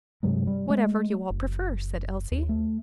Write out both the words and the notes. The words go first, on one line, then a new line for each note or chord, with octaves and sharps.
"Whatever you all prefer," said Elsie.
G2 C3 F#3 G#3
G3
G#3 A3
F#1
D#2
A3